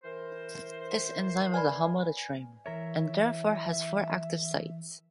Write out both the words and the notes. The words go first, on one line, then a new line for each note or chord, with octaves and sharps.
This enzyme is a homotetramer, and therefore has four active sites.
E3 A#4 C5
B4 D5 G#5 B5
E3 A#4 C#5 E5